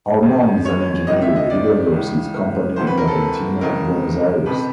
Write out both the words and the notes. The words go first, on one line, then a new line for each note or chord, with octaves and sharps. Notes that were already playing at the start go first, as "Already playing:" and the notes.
Armand is an engineer, he develops his company in Argentina, Buenos Aires.
F#2 D#3
C#5
C#2 C3 E3 D#5
E5
D#5
D5
C#2 C#3 E3
D2 C3 E3 C5
B4
A#4
A4
C#2 C#3 E3 A#4
F2 C3 D#3 B4